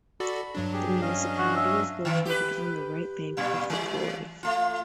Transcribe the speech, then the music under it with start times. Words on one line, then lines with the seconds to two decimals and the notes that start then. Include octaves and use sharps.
The municipality is located on the right bank of the Broye.
0.20 F#4 A4 D5 B5
0.55 G2 F#3 D4
0.73 G4 G#4
1.01 C#4 D#5 F5
1.38 F#4
1.56 E5
2.05 D#3 E3
2.25 G4 B4
3.37 G2 A#2 G3
3.70 E3 G#3
4.43 A3 F4